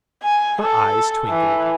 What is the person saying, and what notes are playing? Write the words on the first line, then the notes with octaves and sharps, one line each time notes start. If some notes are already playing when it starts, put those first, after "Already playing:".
Her eyes twinkled.
G#5
A4
E3